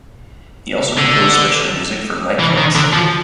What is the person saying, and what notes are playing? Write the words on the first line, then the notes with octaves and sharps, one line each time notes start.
He also composed special music for nightclubs.
D3
E3
D#3
D3
F3